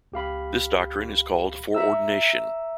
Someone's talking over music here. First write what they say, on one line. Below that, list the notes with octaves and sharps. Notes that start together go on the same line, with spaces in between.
This doctrine is called "foreordination".
C#2 G4 F5 B5
E5 A#5 E6